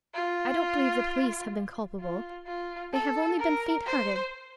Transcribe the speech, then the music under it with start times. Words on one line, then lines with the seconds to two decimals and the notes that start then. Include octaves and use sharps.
I don't believe the police have been culpable; they have only been faint-hearted.
0.14 F4
2.00 F4
2.47 F4
2.93 A4
3.39 A#4
3.86 C5